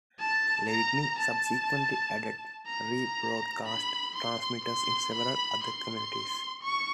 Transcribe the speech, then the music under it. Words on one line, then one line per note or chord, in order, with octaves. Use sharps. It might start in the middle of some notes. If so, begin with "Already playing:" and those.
Lavigne subsequently added rebroadcast transmitters in several other communities.
A5
A#5
A5
A#5
B5
C6
C6
B5
C6
C#6